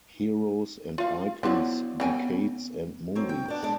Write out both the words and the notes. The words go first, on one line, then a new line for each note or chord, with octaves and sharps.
Heroes and Icons, Decades, and Movies!
F4 F5
D3 F3 F#3 B3 E4 C6
C#3 B3 C4 G5 G#5
F#3 C4
G5
B3 D4
G#3 D4